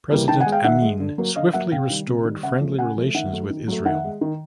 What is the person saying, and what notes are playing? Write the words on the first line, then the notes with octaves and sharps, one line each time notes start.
President Amin swiftly restored friendly relations with Israel.
E3 G3 A#3
D#3 G5 A5
F#5 G#5
G#3
F5 G5
D#3 E5 F#5
G#3
D3
F#3 A#3
D3 D#5 F5
F#3 A#3 E5 F#5
C3 F5 G5
D#3 G3
C3
D#3 G3
C#3 E5 F#5
F3 A3
C#3 F#5 G#5
F3 A3
D#3 E5 F#5
F#3 A3
D#3
F#3 A3
D#3 E5 F#5
G#3
D#3